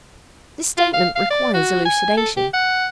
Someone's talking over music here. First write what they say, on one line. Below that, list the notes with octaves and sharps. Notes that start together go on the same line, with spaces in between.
This statement requires elucidation.
F4
F5
F5
D5
F#4
G#5
A4
G4
F#5